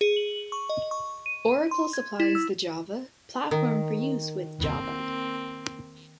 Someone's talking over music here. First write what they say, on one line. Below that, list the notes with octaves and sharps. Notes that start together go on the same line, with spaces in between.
Oracle supplies the Java platform for use with Java.
G#4
F#7
C#6
D#5
C#6
D#7
C6
G#6
E4
E6
D#3
A#3 C4